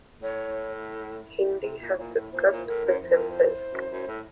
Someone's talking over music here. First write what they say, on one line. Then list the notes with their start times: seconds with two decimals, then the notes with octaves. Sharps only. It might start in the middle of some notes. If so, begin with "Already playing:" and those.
Hindy has discussed this himself.
0.22 A2 C#5
1.62 C3
1.80 A#2
1.98 A#2
2.15 A2
2.32 A#2 C5
2.47 A#2 C#5
2.58 C5
2.67 A2 A#4
2.85 F#2
3.03 F2 C5
3.16 A#4
3.29 C5
3.73 F#2
3.91 F#2
4.07 A2